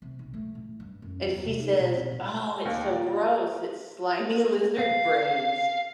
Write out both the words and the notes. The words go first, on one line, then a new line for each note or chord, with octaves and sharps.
And she says, "Oh, it's so gross. It's slimy lizard brains."
C3
B1
A3
A2
G2
F#2
E2
C3
D#4
B2
C4
A#2
D#2
A#2
F5